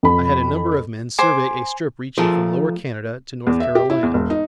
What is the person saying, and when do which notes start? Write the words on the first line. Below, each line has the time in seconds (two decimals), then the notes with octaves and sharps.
I had a number of men survey a strip reaching from Lower Canada to North Carolina.
0.03 F2 B5
1.18 C5 G#5 D6
2.18 F3 A3 F4 G#4 A#4
3.47 E2
3.60 E5
3.75 G4
3.90 E4
4.03 E2
4.14 E1
4.30 D#4